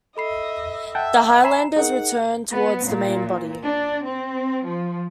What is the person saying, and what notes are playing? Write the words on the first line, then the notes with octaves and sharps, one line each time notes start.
The Highlanders returned towards the main body.
A4 D#5 E5 B5 C7
E5 F#5 G5 A5
G#5 A#5 B5 C7 E7
D#4 G#4 A#4 F#5
B3
A#2
D4
C4
F3